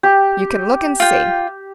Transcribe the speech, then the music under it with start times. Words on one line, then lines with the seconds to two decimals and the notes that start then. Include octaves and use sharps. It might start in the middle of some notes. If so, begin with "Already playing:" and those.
"You can look and see."
0.03 G4
1.00 F4 G5